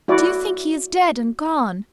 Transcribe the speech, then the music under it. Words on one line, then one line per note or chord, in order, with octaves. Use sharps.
"Do you think he is dead and gone?"
E4 F#4 D5